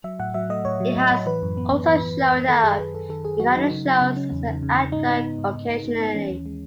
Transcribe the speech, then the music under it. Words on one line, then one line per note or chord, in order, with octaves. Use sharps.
He has also showed up in other shows as an actor occasionally.
F#3 E5
A2 F#5
F#3 E5
A3 D#5
A2 C#5
F#3
A2
A2
E3 B4
F#2
B3
F#2
E3
F#2
F#2
F#2
D#3 A4
F#2 G#4
F#2 B4
F#2 A4
D#3 A4
F#2 G#4
F#3 F#4
F#3 D#4
C#3
F#3
C#3
C#4
E2
C#3
C#3
C#3
G#2 D#4
B3
B3
G#2
G#2
G#2
G#2
B3
E3 C#4
D#2
G#3